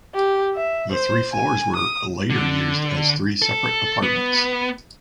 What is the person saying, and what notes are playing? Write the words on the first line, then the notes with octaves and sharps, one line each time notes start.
The three floors were later used as three separate apartments.
G4
E5
C5
G#5
D#6
D3
A4
B3